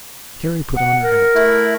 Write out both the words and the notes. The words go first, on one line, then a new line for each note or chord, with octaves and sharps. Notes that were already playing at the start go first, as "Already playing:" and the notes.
Carrie put on her hat.
F#5
A#4
A3 E4